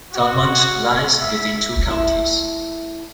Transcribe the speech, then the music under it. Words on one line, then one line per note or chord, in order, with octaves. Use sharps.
Tallmadge lies within two counties.
F#4
E5
A3 E4 E5